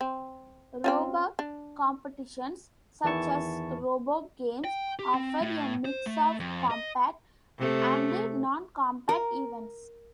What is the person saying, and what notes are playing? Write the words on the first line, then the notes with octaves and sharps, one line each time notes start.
Robot competitions such as RoboGames, offer a mix of combat and non-combat events.
C4
C4 C#4 F4
D4
E2 D#3 E3 E4 A5 C#6
G5
G4
C4
A2
C5
A3
F2
D#5
C3 A3
A#4